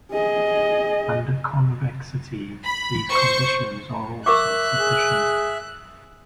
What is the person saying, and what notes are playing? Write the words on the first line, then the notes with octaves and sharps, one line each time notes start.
Under convexity, these conditions are also sufficient.
G#4 D#5
B5
C5 C#6
A#4 E5 C#6 D6 F#6
G#4